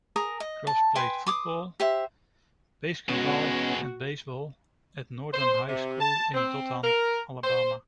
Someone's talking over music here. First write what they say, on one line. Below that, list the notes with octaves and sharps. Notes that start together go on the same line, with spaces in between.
Gross played football, basketball, and baseball at Northview High School in Dothan, Alabama.
G#4 A#4 A#5 D#6
D#5
A5
B4 G5 G#5 C6
C6 D6 D#6
G4 C5 E5
B2 G#3 B3 C#4 F#4
C5
C3
A5
C4
A#4
C5